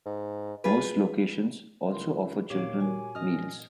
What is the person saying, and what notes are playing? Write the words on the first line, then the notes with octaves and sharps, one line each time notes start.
Most locations also offer children meals.
G#2
F4 G#4 B4
C#2 E4 A#4 C6
D#2 A#2 G4 C#5 F5 D6
F#4 A#4 G#5
F#2 D#5 D#6 F6